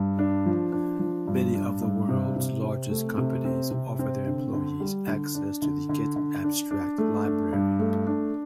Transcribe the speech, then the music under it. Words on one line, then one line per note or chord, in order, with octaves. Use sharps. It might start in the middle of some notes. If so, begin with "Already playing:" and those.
Many of the world's largest companies offer their employees access to the getAbstract Library.
Already playing: G2
D4
F3
D4
F3
G2
D4
G2
C3
C3
C4
A3
C3
C4
C3
C4
D3
D3
G3
D3
D4
D3
D3
D3
D4
D4
A3
D4
G2
A3
D4